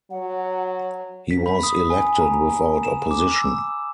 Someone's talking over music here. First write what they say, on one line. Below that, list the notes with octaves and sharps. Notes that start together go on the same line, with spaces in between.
He was elected without opposition.
F#3 F#5
B6
B5
D#6
G#5
A#5
E7
D6
E6